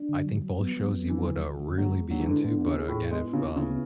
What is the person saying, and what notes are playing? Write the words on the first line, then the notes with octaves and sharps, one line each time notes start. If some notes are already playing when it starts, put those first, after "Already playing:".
I think both shows you would, uh, really be into, but, again, if, um
Already playing: D4
D3
F#3
F#3
B3
F#3
B3
E3 F#3
D3
D3
D3
F#3 G#3
G#3
F#3 G#3
E3
D3 E4
E3
D3 B3
D3
E4
C#3
G#4
A2
E4
G#3 B3
E4
C#3
E4
C#3
B3